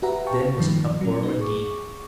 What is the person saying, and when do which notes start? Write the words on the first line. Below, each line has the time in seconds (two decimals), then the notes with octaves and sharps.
Then was an uproar indeed.
0.02 F#4 G4 B4 E5 F#5 A#5
0.26 F5 G5 A5 C#6
0.60 G2 D#3 F3
1.01 F#3 C#4
1.23 D#4
1.39 G#4 C#6 D6